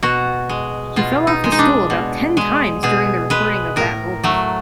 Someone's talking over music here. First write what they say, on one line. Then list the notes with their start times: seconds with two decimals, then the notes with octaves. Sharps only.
He fell off the stool about ten times during the recording of that vocal.
0.03 B2 F#4
0.49 G#3
0.96 B2 F4
1.27 D#4
1.44 G#3
1.52 D#4
1.59 D4
1.90 B2
2.37 G#3
2.83 B2 G#4
3.30 G#3 B4
3.76 A2 A#4
4.24 F#3 A3